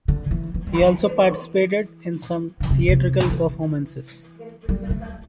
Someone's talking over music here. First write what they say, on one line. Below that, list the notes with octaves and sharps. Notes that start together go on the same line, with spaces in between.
He also participated in some theatrical performances.
D3
E3
E3
G3
E3
D3
C3
A2
C3
E3
G3
A3